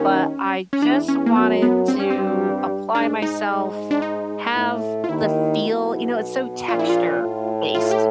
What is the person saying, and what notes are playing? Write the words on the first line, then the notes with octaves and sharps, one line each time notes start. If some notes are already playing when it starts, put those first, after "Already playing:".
But I just wanted to apply myself, have the feel, you know, it's so texture-based,
Already playing: D#2 D#3 C#4
C#4
E2 E3 D4
C#4
A#3
F#2 F#3 B3
B3
G2 G3 C4
C#4
C4
G#2 G#3 D4
D#4
G#2 G#3
D4
D#4
A2 A3
F4
D#2 D#3 E4
B1 B2
A#1 A#2 F4
E4
F4
A2
F4
G4